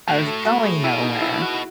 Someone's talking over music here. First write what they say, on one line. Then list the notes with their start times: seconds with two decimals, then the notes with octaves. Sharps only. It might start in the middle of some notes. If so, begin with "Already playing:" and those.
I was going nowhere,
0.07 A2 F#4
0.27 A4
0.45 F#4
0.65 G#4
0.84 B2 E4
1.03 D#4
1.22 E4
1.42 F#4